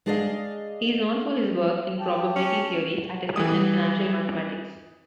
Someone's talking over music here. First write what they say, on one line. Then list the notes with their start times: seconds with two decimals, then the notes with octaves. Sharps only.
He is known for his work in probability theory, statistics and financial mathematics.
0.06 G#3 D4 G#4 D5 D#5 F5
2.00 G4 G5 A5
2.36 C#4
3.36 E3 G3 D#6